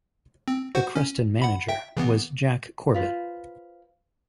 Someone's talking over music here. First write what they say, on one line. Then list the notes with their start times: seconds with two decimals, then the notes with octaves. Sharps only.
The Creston manager was Jack Corbett.
0.48 C4
0.75 F#4 C5 F#5
0.95 C#4
1.42 F#5 B5
1.69 E5 G5
1.97 C#3 E3 B3
2.94 F4 B4 C5